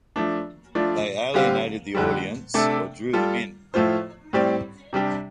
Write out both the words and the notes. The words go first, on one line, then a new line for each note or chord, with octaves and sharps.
They alienated the audience or drew them in.
F3 A3 D4
F3 A3 D4 F4 D5
D3 G3 C4 G4 F5
F2 D3 G3
C3 A3 D4 A4
G3 F4 A4
A2 F3 A3 F4 C5
A2 G3 C4 G4 D5
C3 G3 D4 G4